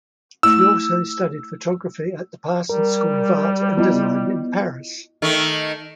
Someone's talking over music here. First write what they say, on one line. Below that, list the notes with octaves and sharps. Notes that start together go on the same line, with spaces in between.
She also studied photography at the Parsons School of Art and Design in Paris.
A3 E4 E6
G3 A#4
B3 E4 F4 D#5
D#3 A3